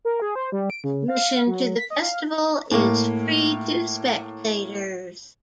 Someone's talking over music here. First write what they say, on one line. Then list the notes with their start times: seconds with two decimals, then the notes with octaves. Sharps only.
Admission to the festival is free to spectators.
0.05 A#4
0.22 G#4
0.35 C5
0.52 G3
0.70 D7
0.84 C#3
1.08 F5
1.47 F#3
1.77 B6
1.90 D#5
2.02 F5
2.71 A2 A#3